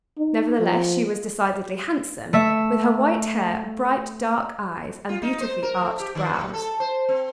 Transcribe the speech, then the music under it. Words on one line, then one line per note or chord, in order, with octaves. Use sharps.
Nevertheless, she was decidedly handsome, with her white hair, bright, dark eyes, and beautifully arched brows.
D#4
F3
A3 E5
F4
D#4
C5
A#4
A3
G4
D#3
F#3
A4
C5
C4